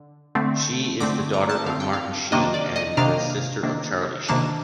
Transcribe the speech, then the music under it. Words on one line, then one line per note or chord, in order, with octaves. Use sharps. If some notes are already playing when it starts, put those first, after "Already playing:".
She is the daughter of Martin Sheen and the sister of Charlie Sheen.
Already playing: D3
D3 A3 C4
D3 A3 C4 D6
A#5
A5
D3 A3 C4 F5
G5
F5
C3 D#3 A#3 D4 D#5
D5
D#5
C3 D#3 A#3 D4 F5
C3 D#3 A#3 D4
C3 D#3 A#3 D4 A5